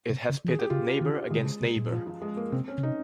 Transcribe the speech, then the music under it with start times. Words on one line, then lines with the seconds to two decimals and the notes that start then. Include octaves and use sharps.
It has pitted neighbor against neighbor.
0.10 C3
0.30 C#3
0.45 F3
0.48 D#3 G#4
0.59 G4
0.70 C#3 F4
1.01 D#3 F4
1.30 D#3 G#3
1.38 C3
1.46 C#3
1.61 C3
1.77 A#2
1.92 F3
2.07 F3
2.22 G#3
2.37 A#3
2.52 C3 C4
2.68 C#4
2.78 C#3
2.82 C3 D#4